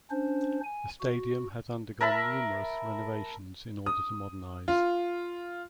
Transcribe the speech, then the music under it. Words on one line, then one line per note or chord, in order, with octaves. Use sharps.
The stadium has undergone numerous renovations in order to modernize.
C#4 D4 C5
G#5
F#4
A#4 E5 A5 B5
D#6
F4